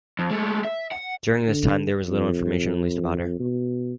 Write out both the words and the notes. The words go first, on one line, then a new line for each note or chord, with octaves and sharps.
During this time there was little information released about her.
F2
G#3 A3
E5
F#5
D3
F2
B2